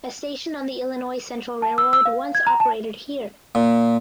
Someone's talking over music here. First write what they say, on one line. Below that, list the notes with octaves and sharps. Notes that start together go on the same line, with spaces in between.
A station on the Illinois Central Railroad once operated here.
A5
E6
E6
F5
G#6
A#5
A5
A#2